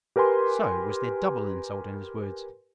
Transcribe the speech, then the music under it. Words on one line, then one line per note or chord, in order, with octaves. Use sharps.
So was there double insult in his words.
G4 A#4 B4 G#5 C6